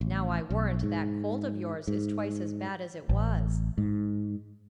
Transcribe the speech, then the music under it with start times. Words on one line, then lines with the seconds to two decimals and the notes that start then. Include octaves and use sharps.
Now I warrant that cold of yours is twice as bad as it was.
0.01 A1
0.50 B1
0.83 G#2
1.87 G#2
3.09 A1
3.78 G#2